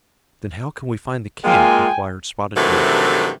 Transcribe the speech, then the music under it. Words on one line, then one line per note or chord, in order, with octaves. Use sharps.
"Then how can we find the camp?" inquired Spotted Deer.
G#3 A#3 F4 G5 G#5
G2 C3 D#3 E3 F#3 A3